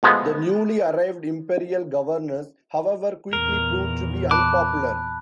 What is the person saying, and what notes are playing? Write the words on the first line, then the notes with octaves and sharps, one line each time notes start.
The newly arrived Imperial governors, however, quickly proved to be unpopular.
B2 F3 G#3 A3 B3
E2 A#2 A#4
A5 B5 D6 F#6